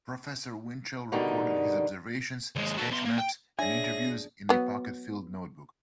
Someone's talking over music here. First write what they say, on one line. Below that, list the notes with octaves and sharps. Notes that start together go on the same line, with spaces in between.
Professor Winchell recorded his observations, sketch maps, and interviews in a pocket field notebook.
B2 D3 D#3 G3 D#4
D#2 G#3
F#4 A4
B2 C6
A#3
G5
D4 G#4 C#5 E5 G#5 A#6
F#3 B3